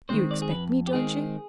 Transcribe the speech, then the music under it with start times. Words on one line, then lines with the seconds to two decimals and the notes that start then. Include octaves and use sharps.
'You expect me, don't you?'
0.09 D#3 G#3 C4 C5
0.31 D5
0.42 G#4
0.51 F2 B4
0.87 G4
0.93 D#3 G#3 C4 G#4